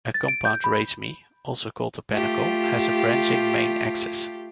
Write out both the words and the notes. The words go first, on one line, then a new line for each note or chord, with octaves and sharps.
A compound raceme, also called a panicle, has a branching main axis.
A6
D7
G6
B5
A3 F4 G4